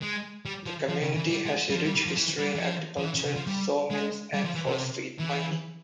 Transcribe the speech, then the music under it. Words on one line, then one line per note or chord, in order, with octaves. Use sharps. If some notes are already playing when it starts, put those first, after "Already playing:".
The community has a rich history in agriculture, saw mills, and phosphate mining.
G#3
G3
F3
F3
C#3
E3
G3
G#3
G3
F3
G3
G3
F3
E3
G3
E3
F3
F3
E3
C#3
C#3
F3
G3
G#3
G3
F3
E3
C3
E3